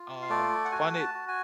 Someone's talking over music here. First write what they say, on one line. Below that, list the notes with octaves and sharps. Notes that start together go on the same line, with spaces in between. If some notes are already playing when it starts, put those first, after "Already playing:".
um, funded
Already playing: F4
F5
A3 D5
F#5
F#4 G#5
G#5
A5
F#4
G#5